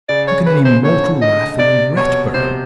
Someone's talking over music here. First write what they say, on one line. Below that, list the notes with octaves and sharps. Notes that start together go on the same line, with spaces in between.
How can any mortal laugh in Ratborough!
C#3 D5
C#5
B4
C5
D3 C#5
D#5
C3 D5
B2 C#5
C3 C5